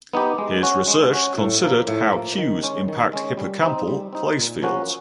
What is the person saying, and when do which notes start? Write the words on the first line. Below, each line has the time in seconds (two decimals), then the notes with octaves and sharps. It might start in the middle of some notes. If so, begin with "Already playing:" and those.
His research considered how cues impact hippocampal place fields.
0.13 B3 D#4 G4
0.38 G#3
0.63 C#4 F#4
0.88 G#3
1.13 C#4 F#4
1.38 A2
1.63 F3 A#3
1.88 A2
2.13 F3 A#3
2.38 D#3
2.63 G#3 C#4
2.88 D#3
3.13 G#3 C#4
3.37 G3
3.62 C4 D#4
3.88 G3
4.13 C4 D#4
4.38 A#2
4.62 F3 A#3 C#4 F#4